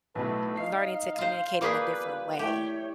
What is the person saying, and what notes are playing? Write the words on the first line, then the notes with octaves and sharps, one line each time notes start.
learning to communicate in a different way.
B1 A2 A3 B4
D#4 F5 C7
F4 C5
G3 A#3 F4 G#4 B4 D6 G6 B6
A3 E4 G4 C#5 G5